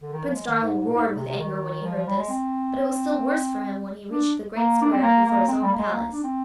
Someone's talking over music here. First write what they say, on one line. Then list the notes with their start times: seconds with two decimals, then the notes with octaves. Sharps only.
Prince Darling roared with anger when he heard this; but it was still worse for him when he reached the great square before his own palace.
0.02 D3
0.12 D#3
0.25 F3
0.35 G#3
0.48 D#3
0.62 G#2
0.78 G#2
0.86 A#2
0.93 G#2
1.04 G#2
1.15 C3
1.26 C3
1.38 D#3
1.83 F3
1.96 F3
2.07 G3
2.18 G#3
2.29 C4
4.11 D4
4.56 A#3
4.81 D4
4.92 C4
5.03 A#3
5.25 A#3
5.48 C4
5.63 G3
5.72 A#3
5.78 G#3
5.93 A#3
6.12 D4
6.23 C4